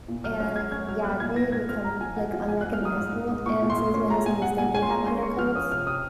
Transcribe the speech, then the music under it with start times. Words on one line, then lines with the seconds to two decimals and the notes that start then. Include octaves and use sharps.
and yeah, they become, like, unrecognizable, and since my huskies, they do have undercoats,
0.08 A#2
0.24 F#3 F6
0.39 C#4 F6
0.55 F#3 G#6
0.72 C#4 G#6
0.88 F#3 F6
1.04 A#3 F#6
1.20 A#2 G#6
1.36 A#2 A#6
1.52 G#2 G#6
1.69 C4 F6
1.85 G#2 A#5
2.01 F3 G#5
2.16 G#2 F#5
2.33 F3
2.48 G#2 G#5
2.61 G#2 F#6
2.73 F6
2.81 F3 D#6
2.97 G#2
3.13 G#2
3.29 G#2
3.46 A#2 C#6
3.62 A#2
3.70 C6
3.78 A#2
3.94 C#4 C6
4.10 G#3 A#5
4.26 A#2 G#5
4.42 G#3 F#5
4.58 A#2 G#5
4.75 C#4 G#5
4.82 C6
4.90 G#3 A#5
5.07 C#4 C6
5.23 G#3 C#6
5.38 F3 F6
5.55 C#4 D#6
5.72 C3 F6
5.87 C3 D#6